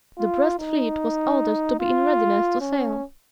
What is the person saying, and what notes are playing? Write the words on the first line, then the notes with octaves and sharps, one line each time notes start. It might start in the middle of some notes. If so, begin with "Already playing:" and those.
The Brest fleet was ordered to be in readiness to sail.
F4
D#4
F4
C#4